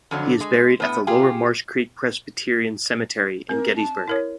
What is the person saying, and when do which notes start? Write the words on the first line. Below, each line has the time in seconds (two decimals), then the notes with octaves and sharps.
He is buried at the Lower Marsh Creek Presbyterian Cemetery in Gettysburg.
0.11 F2 D3 F#3
0.40 G#3
0.80 A2 B3
1.07 F4 G4 G#4
3.49 C4 A#4
3.76 A5
4.08 E4 A#4 C#5